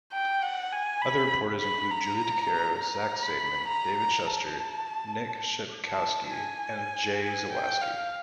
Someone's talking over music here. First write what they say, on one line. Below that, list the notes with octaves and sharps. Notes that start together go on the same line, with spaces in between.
Other reporters include Julie Dicaro, Zach Zaidman, David Schuster, Nick Shepkowski, and Jay Zawaski.
G5
F#5
G#5
B5
B5
A#5
A#5
B5
A#5
A#5
A5
A5
G#5
G#5
G5
F5